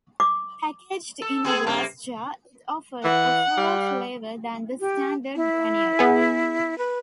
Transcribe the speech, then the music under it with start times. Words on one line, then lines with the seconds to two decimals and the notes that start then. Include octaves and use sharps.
Packaged in a glass jar, it offered a fuller flavour than the standard granule.
0.20 D6
1.22 A4
1.44 B3 G#4 A4
1.67 F#2 C3 A#3
3.04 E3 F#5
3.57 G3
4.80 G4
5.36 E4
5.99 B3 G#4
6.78 B4